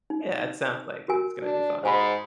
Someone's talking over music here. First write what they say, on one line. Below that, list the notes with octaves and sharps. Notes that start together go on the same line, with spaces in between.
Yeah, it sounds like it's gonna be fun.
D#4
F#4 A#4 G#5
D4
G#2 C5 G#5 B5